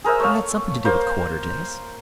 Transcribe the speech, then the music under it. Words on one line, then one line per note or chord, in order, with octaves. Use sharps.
But it had something to do with quarter-days.
G#4 A#4 C5 E5
A3 C#5 F5
A#3 C5 F5